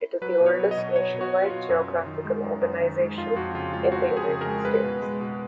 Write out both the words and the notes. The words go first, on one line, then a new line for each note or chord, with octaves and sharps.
It is the oldest nationwide geographical organization in the United States.
F#3 B4
B2
C#5
F#3
D#5
B2
F#3 C#5
B2
F#4
F#3
F4
B2
F#2
F#2
D#3
G#3
F#2
F#2
D#3
G#3
F2 F4
F2 F#4
C#3 F4
G#3 F4
F2 F#4
F2
G#4
C#3
A#4
G#3
G#3 B4
B2
G#3
B2